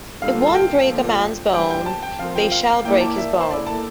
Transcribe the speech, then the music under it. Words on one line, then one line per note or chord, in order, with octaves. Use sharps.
If one break a man's bone, they shall break his bone.
D3 G3 A#3 F4 A4 F5
A5
G5
D3 F3 A#3 F4 A4
G3 A#3 D4 F4 C5 G5
G5
A5
G5
F3 C4 F4 A#4 F5
G5
F5
A#3 E4 A#4 D5 G5
A5
E5
C5
A#3 E4 A4 D5
A5